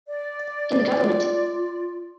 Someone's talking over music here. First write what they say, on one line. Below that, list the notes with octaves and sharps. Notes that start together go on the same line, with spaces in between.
In the Govt.
D5
F4